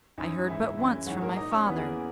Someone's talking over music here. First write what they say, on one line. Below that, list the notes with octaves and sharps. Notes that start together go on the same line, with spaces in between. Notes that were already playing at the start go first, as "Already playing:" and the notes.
I heard but once from my father.
F#2 E3 D#4
G#2 E3 E4
F#2 C#3 E3
G#2 E3 F#3 F#4
A#3 A#4
A#2 D#4 D#5
C#4 C#5
E2 C#3 E3 B3 B4
G#4
A#3 A#4